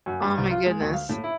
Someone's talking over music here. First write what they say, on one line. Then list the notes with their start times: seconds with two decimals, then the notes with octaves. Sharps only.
Oh my goodness.
0.06 F#2
0.22 G2
0.38 C2
0.50 F4
0.66 G#3
0.80 D2
0.93 F5
1.09 A2
1.24 E4